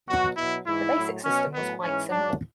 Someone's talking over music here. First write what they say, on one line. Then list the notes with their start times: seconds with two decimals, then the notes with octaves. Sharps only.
The basic system was quite simple.
0.08 B2 F#3 F#4
0.37 B2 F#3 E4
0.66 G#2 E3 E4
0.95 A2 F#3
1.24 B2 F#3 C#4
1.53 A2 F#3 B3
1.82 G#2 E3 C#4
2.11 G#2 F#3 D4